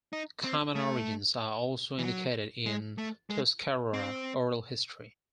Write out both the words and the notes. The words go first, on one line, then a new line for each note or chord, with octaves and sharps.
Common origins are also indicated in Tuscarora oral history.
D#4
C4
A3
E3
F#3
G#3
A3
G#3
C4